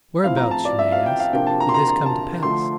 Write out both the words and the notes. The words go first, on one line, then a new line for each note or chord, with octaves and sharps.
Whereabouts, you may ask, did this come to pass?
A2 F3 C4 E4 F5
A#5
A5
D5
E5
F5
G5
F5
C3 F3 A#3 D4 F4 G5
A5
A#5
C6
A#5
A#5
A5
D3 F3 A3 D4 C6